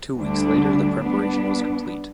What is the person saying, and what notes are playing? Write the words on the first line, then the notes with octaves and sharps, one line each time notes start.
Two weeks later the preparation was complete.
D2 D3 G3 D4
G3 B3 D4